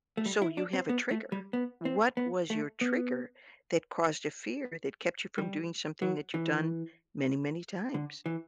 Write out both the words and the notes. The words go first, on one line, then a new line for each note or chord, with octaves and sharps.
so you have a trigger. What was your trigger that caused a fear that kept you from doing something that you've done many, many times?
A3
G3
E4
D4
C4
B3
A3
G3
B3
C4
B3
A3
B3
G3
F#3
E3
D3
E3